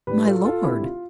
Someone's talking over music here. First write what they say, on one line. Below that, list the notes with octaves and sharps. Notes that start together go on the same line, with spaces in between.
"My lord!"
A2 G3 D4 G4 B4
F4 A4
F4 A4
D3 A3 C4 E4 G4
F4